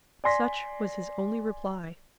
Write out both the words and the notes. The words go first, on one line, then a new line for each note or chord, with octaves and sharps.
Such was his only reply.
D5 G#5 C6 A#6 B6